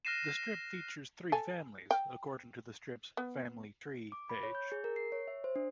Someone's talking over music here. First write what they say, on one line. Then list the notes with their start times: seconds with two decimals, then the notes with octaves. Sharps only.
The strip features three families, according to the strip's "Family Tree" page.
0.05 F6 F#6 A#6 C7 D#7 E7
1.32 A4 G#5
1.91 G5
3.17 B3
4.12 D6
4.29 B5
4.43 C#5
4.55 G6
4.72 G#4
4.84 A#4
4.96 C7
5.12 C#5
5.27 E5
5.44 C5
5.56 D4